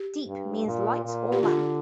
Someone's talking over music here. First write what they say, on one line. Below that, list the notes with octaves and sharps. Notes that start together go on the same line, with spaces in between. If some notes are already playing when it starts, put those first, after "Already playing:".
"Deep", means "light" or "lamp".
Already playing: G4
G2
A#2
A#2
G4
D3 F4